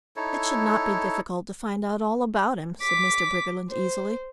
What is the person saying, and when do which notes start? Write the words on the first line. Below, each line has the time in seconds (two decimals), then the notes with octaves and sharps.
"It should not be difficult to find out all about him," said Mr. Briggerland easily.
0.16 D#4 E4 A4 C#5
2.82 D6 B6
3.70 C5